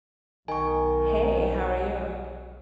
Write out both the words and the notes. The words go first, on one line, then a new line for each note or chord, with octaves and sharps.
Hey, how are you?
B1 D#3 G#5 C#6